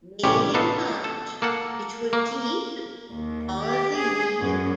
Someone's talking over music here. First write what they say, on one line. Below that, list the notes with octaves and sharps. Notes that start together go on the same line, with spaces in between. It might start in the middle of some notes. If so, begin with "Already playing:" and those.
Made in March, it would "keepe all the yeere".
A1 C3 G3 C#4 G4
B3 D#4 A4 F5
A4
A#3 A4 F#5
A#3
D#2
G4
G#4
F#2